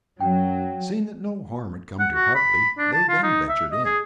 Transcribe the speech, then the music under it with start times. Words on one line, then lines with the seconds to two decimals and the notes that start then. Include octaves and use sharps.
Seeing that no harm had come to Hartly, they then ventured in.
0.21 F#2 F#3 G5
1.99 F#5
2.14 F#4
2.35 B5
2.78 D4
2.93 A5
3.09 F4
3.23 D#4
3.49 E5
3.72 D#5
3.85 G#4